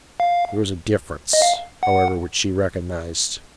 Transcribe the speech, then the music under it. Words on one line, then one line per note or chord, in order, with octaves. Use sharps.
There was a difference, however, which she recognised.
F5
D#5
F5
F#5